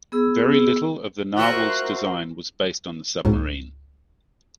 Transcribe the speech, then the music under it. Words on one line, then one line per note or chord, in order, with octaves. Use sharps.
Very little of the "Narwhal"s design was based on the submarine.
B3 G#4 E6
F4 F#4 A#4 C5 E5 F#6
C#2 G#2